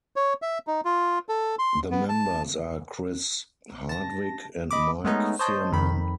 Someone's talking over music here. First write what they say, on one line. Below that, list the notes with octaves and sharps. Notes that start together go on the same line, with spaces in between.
The members are Chris Hardwick and Mike Phirman.
C#5
E5
D#4
F4
A4
C6
B3
A5
A5 A#6
D#5 B5 D6
G#3 A3 B3 C#4 D#4
C5 C#5 D#5 A5 G6
F2 D#3 B5